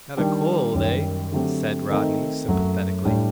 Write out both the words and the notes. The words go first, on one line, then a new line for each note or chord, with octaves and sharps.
"Got a cold, eh?" said Rodney sympathetically.
D#3 G3 D4 G4
F#2 D#3 G3
D3 F#3 A3 C4 G4
D#3 A3 C4 D#4
F#2 F#3 A3
A2 G3 D4 G4